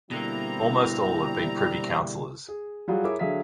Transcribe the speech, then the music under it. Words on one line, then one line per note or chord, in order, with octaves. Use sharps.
Almost all have been Privy Councillors.
B2 D3 G3 A#3 C4 E4 A#5
G#4
F#3 G3 F4 F#4 G#4
E4 G#4 A#4 C#5 E5 D6
D3 F#3 G#4 E5 F5 B6